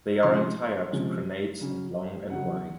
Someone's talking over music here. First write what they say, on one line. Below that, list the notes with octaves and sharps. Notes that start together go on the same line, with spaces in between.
They are entire to crenate and long and wide.
C3 F3 G#3 C#4 C6
C3 F3 G#3 C#4
C#3 F#3 C#4
C#3 F#3 C#4 F#5